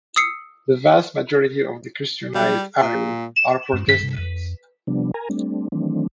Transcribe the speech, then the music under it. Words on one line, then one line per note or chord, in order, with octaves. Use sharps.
The vast majority of the Christianized Ari are Protestants.
D#6 E6 C7 C#7
G3
A#2
G2 G#3 C#4
G2 D#3 A3
G2 C3
F2
C3 F3 G3 B3 D4
A#4 G#5 A#5
G3 A3 C4 D4
D#3 E3 F#3 A3 C4 D4